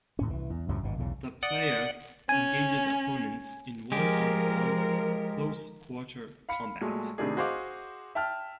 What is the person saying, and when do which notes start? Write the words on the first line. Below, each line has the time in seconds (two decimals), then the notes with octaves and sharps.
The player engages opponents in one-on-one close quarter combat.
0.19 D#2 A2 C#4
0.30 C2 E3
0.50 E2
0.68 C#2 F#2 A2 C3
0.83 G#1 G2 B2
0.98 B1 E2 C#3
1.43 D5 F#5 D#6
2.29 C#4 G#5
3.92 F3 G#3 G4 A#4
6.49 F5 B5 C#7
6.81 A#2 F#3 G#3 A3
7.18 A2 C3 D#3 D4 G#4
7.37 F#4 G#4 C5 D#5 F5 D6
8.15 E5 G5 A5 F6